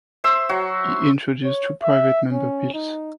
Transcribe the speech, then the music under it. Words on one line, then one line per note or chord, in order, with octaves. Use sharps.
He introduced two private member bills.
C5 E5 C6 E6
F#3 F#4
C#5
E5
C#4
D#4